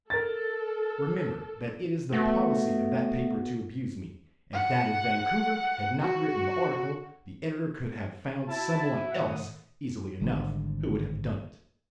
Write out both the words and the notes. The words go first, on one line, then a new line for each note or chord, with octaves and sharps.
"Remember that it is the policy of that paper to abuse me, and that if Vancouver had not written the article, the editor could have found some one else easily enough who would have done it."
A4 A#4 A6
A3 B3 F#4
F#5
F#4
E4 F#4 A5
A2 D#3 F#5 D#6
G#1 D3 G3